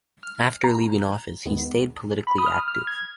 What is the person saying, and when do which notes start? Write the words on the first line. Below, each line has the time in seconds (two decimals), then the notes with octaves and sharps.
After leaving office, he stayed politically active.
0.23 F6
0.64 A#5
1.45 D#2 D#3 G#3 B3
2.27 B5
2.38 D#6
2.46 F6
2.68 F6
2.87 G#6